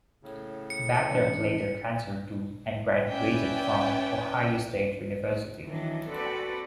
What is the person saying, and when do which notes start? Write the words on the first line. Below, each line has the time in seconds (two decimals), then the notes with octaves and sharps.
Backderf later transferred to, and graduated from, Ohio State University.
0.23 A2 C#3
0.70 C#7
1.11 G#2 E3 F#3 C#4 D4 A#4
3.09 C#4 B4 D5 E5 G5
5.64 D#3 E3 F#3 D4
6.08 C4 F#4 A4 B4 D5